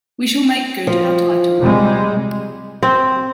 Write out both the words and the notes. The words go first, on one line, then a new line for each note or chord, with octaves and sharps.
We shall make good our title.
F3
C3 G3 G#3
C4